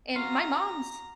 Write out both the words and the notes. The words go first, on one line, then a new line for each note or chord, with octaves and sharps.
And my mom's
F#4 F5 A#5 C6